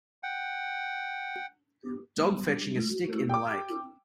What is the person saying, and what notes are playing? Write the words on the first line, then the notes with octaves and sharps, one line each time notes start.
Dog fetching a stick in the lake.
F#5 G5
G5 D6